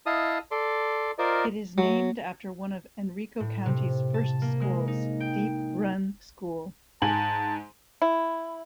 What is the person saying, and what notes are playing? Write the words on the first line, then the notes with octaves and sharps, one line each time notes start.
It is named after one of Henrico County's first schools: Deep Run School.
E4 D#5 F5 A5 D#6
A4 D5 C6
F4 A#4 C5 D5 D#5
F#3
A2
C3
A5
A#3
G#3
D#4
G5
G#2 G#5 A5 F#7
E4